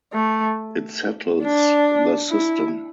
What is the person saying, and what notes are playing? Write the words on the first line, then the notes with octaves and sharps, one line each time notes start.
It settles the system.
A3
D4
E4